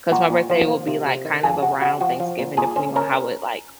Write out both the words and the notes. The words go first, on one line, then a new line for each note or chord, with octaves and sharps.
'cause my birthday will be, like, kind of around Thanksgiving, depending on how it, like,
A#2 F#4
A#2
F3
A#3
C3
C3
D#3
F2 G#4
C3 F#4
C3 F#4
F3 F#4
F3
A#2
A#2 G#4
C#4 C5
C#4 A#4